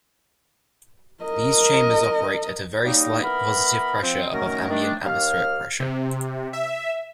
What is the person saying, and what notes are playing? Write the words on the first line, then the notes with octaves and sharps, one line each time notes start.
These chambers operate at very slight positive pressure above ambient atmospheric pressure.
A#4 D#5
F#3 G3 A#3 D#4
E3 B3 A#4 B5
F3 C4
D#3 F#3 A3 C#4 F#4 A#4
D#3 A3 D4
D#2 F5 F6
C3
E5